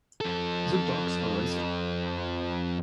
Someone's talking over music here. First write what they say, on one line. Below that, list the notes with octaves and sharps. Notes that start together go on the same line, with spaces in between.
The dogs are racing.
F2 A4